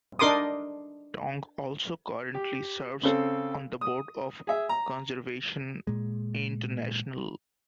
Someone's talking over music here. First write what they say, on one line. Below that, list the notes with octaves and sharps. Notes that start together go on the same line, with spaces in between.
Tong also currently serves on the Board of Conservation International.
D4 D#4 A#4 C6 D6 D#6
G4
C#3 C4 A4
D#6
G#4 E5
A#5
A#2 G#3